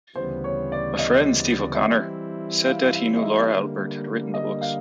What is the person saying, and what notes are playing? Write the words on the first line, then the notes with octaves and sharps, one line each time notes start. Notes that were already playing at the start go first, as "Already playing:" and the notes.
A friend, Steve O'Connor, said that he knew Laura Albert had written the books.
D2 C#3 E3 G3 B3 C5
C#5
D5
D#5
D#5
E3 G3 C4 E4 E5
F5
F5
E5
D#5
E5
D3 G3 A#3
D#5
F5